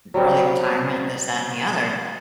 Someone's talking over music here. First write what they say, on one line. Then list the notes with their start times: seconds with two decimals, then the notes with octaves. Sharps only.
early retirement, this, that, and the other,
0.14 F#3 G3 C4